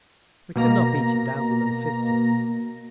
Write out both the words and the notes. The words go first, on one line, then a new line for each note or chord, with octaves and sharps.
We could not beat him down below fifty....
B2 A#3 A#5 A#6